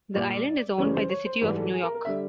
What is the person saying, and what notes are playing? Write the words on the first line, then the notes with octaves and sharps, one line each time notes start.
The island is owned by the city of New York.
A#2 G3 D5
F#2 C#3 E3 G3 C#5
C5
C#5
C5
G#2 E3 G3 B4
A4
G#4
A#4
A#4
D3 G3 E5